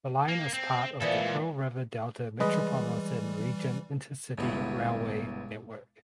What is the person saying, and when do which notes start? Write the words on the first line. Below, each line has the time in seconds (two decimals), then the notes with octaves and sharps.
The line is part of the Pearl River Delta Metropolitan Region intercity railway network.
0.28 A#3
0.54 C4
1.00 A#2 E3 B3 A4 D#5
1.20 G#2
2.40 E3 G3 G#3 B4 D#5
4.38 G1 C#2 G2 B2 B3 E4